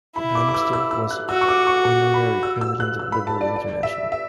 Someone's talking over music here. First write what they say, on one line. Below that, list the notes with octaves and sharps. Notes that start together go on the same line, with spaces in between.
Lambsdorff was honorary president of Liberal International.
E4 B5
D6
D6
E6
E6
E6
F#6
F#4 E6
C#6
D6
C#6
B5
E6
E6
F#6
E6
B5
A5
D5
D5
E5
E5